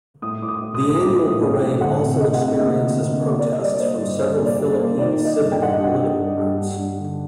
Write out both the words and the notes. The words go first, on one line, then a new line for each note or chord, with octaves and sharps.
The annual parade also experiences protests from several Philippine civic and political groups.
A2 D#6
A2 D6
D#6
A2
D#6
A#1
D#6
A#1 D6
A2
D#6
A#1
G5
A2
D2 F#5
C3
C3 D#5
F#5
C3
D#5
A#3
C3
C3
A#3
A#3 D5
D#5
G3 D5
D5
A#3 C5
G2
G3 C5
A#3
D5
G3
C5
A#3
D#3 D5
D#3
D#5
G2
G5
G2 F#5
D#5
G2
F#5
G2
G2
G2
G2
G2
D3